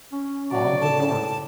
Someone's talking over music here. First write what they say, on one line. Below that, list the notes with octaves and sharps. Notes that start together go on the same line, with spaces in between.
On the North.
C#4
F#3 F#4 D5
A2 A4 A5